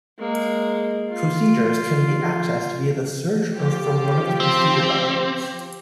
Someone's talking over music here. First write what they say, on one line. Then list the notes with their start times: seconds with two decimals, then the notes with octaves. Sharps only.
Procedures can be accessed via the search or from one of the procedure documents.
0.19 G#3 A#3
1.10 F4
3.55 F3 G4
4.40 C4